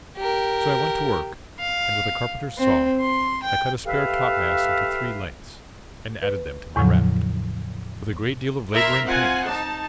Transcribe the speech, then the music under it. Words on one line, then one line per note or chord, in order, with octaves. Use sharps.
So I went to work, and with a carpenter's saw I cut a spare topmast into three lengths, and added them to my raft, with a great deal of labor and pains.
G4 A#4
F5
C4
C6
G5
G4 A4 B4 E5 F5
B4
E2 A2 C#3 F3 F#3
E4 A#4 E5 A#5 C6
C4 F4 F#5 G#5
D#4 A5